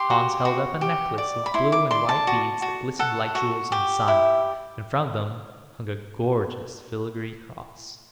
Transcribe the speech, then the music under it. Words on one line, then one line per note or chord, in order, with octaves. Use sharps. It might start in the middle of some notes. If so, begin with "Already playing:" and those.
Hans held up a necklace of blue and white beads that glistened like jewels in the sun, and from them hung a gorgeous filigree cross.
Already playing: G4 C6
F#4
F#4
G4
D5
B5
E4 C6
D6
D5 C6
A5
F#4
F#4
A4 F#5
F#4
G4
E4